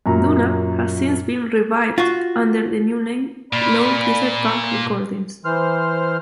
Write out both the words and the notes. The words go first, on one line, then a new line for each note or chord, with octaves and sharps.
Duna has since been revived under the new name "Low Desert Punk Recordings".
F#2 A#2 A#5
F4 F#4
A#2 D5 B5
E3 C5 F6